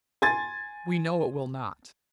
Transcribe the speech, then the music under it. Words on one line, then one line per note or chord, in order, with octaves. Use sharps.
We know it will not.
G#5 C6 G#6 A6